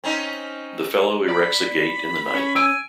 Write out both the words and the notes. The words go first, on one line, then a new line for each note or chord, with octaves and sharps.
The fellow erects a gate in the night.
C4 C#4 D#4
D5 B5
C#4 C#5
G#5 E6 D7